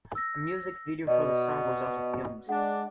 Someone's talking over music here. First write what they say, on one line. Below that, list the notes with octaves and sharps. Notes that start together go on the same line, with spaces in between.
A music video for the song was also filmed.
E6 A#6
B2 D5 D#5
G#3 D4 F#5